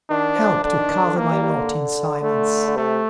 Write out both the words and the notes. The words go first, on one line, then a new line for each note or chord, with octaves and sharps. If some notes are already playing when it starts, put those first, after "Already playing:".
Help to cover my lot in silence.
D#3 D4
F3
D3 D4
D#3
D#3
D3
D#3 A#3
G3
G3
D3
A3
D3
C3 A3